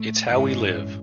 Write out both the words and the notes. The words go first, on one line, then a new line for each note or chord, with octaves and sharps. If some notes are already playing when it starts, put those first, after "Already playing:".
It’s how we live.
Already playing: A2 A3
A1 G2 E3 G#3 C#4